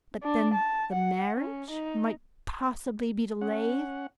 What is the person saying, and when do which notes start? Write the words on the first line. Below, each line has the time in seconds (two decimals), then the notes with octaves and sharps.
But then the marriage might possibly be delayed.
0.23 D4
0.53 A5
0.92 F#5
1.36 C#4
1.70 D#4
3.41 C#4 F#5